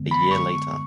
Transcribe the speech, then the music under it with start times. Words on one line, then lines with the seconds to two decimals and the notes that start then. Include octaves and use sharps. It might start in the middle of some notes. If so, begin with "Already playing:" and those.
A year later.
Already playing: F#2 D3 G#3 B3
0.11 B5
0.31 C#6